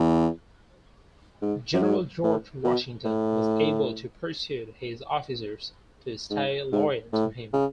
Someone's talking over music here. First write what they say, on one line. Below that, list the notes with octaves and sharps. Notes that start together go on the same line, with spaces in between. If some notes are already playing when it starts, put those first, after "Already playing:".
General George Washington was able to persuade his officers to stay loyal to him.
Already playing: E2
G#2
F#2
G#2
A2
B2
A2
G#2
G#2
A2
C#3